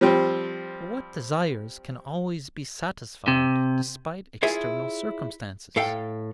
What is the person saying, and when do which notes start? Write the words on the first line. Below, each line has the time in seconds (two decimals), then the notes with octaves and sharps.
But what desires can always be satisfied despite external circumstances?
0.01 F3 G3 C4
3.28 C3
4.43 E4 F4 G#4 C#5 E5
5.76 A2 A4 F5 G5